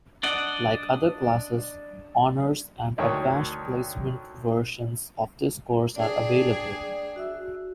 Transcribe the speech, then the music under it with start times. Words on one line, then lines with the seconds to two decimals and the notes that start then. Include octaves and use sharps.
Like other classes, Honors and Advanced Placement versions of this course are available.
0.23 D4 D5 D#5 F#5
2.98 D2 D#3 C#5
5.96 D4 G#4 D5 G5
7.16 F#4 E5 E6